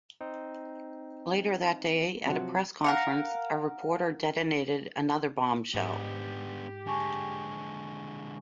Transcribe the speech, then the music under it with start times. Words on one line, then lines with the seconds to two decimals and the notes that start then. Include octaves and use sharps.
Later that day at a press conference, a reporter detonated another bombshell.
0.21 C4 D#4
2.26 C3 F3 F#3 F#4
2.84 A#4 F5 F#5
5.74 G#2 B3 D4 G4
6.87 D3 G#3 G#5 A5 C#6